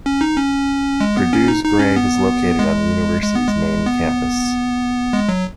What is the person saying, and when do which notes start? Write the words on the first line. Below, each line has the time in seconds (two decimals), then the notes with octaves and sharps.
Purdue's grave is located on the university's main campus.
0.06 C#4
0.21 D#4
0.37 C#4
1.01 G#3
1.17 B3
1.33 C#4
1.48 D#4
1.64 D#4
1.79 C#4
1.96 B3
2.59 G#3
3.22 G#3
3.35 B3
3.47 G#3
3.86 B3
5.13 G#3
5.29 F#3